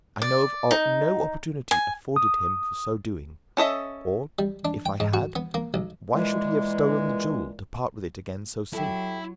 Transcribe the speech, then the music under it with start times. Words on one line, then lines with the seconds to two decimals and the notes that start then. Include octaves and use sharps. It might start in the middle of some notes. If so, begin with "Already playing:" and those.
I know of no opportunity afforded him for so doing; or, if I had, why should he have stolen the jewel, to part with it again so soon?
0.22 D5
0.71 D#4
1.71 G#5
2.16 D#6
3.57 C#4 A4 D#5 E5
4.39 G3
4.65 D4
4.86 G5
5.00 G#2
5.14 F#4
5.36 B3
5.54 A#3
5.74 B1
6.15 A#2 E3 G#3
8.73 F#3 E4 G4 A4